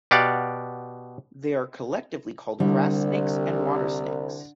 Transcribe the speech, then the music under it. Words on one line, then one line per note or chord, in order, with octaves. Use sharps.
They are collectively called grass snakes and water snakes.
B2 G4 D5 F5 F#5
C2 D3 G3